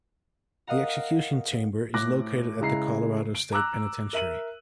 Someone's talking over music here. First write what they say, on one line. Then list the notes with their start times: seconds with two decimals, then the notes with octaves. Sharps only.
The execution chamber is located at the Colorado State Penitentiary.
0.67 A#4 D#5 F5 F#5 A#5
1.94 A2 D6 F#6 A#6
2.60 C#3 G#3 E4 A#5 C7
3.35 D7
3.52 A#5 D6 E6 F#6
4.13 A#4 E5 D#7 F#7